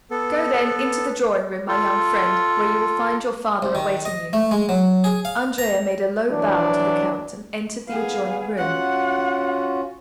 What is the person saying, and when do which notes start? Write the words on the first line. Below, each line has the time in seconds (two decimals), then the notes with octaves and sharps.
"Go, then, into the drawing-room, my young friend, where you will find your father awaiting you." Andrea made a low bow to the count, and entered the adjoining room.
0.11 B3 A4
1.68 F4 A4
3.62 C2
3.75 D#3
4.05 D#5
4.33 A3
4.51 G#3
4.69 F#3
5.04 G#4
5.25 F5
5.58 A#5
6.30 E3 F#3 D4
7.88 B3 G#4 B4 F5
8.58 C#4 F4 F#4 F#5